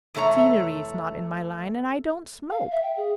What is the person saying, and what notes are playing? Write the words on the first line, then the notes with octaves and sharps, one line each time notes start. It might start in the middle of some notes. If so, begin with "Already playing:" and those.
Scenery is not in my line, and I don't smoke.
E2 C3 A3 C#5 A#5
F5
E5
G5
G#4